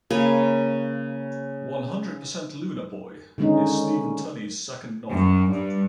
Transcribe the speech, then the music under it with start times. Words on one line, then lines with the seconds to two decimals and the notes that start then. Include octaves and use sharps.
"One Hundred Percent Lunar Boy" is Stephen Tunney's second novel.
0.11 C#3 A#3 B4 C#5
3.38 D3 D#3 G#3 C#4 D#4
5.11 F#2
5.51 G2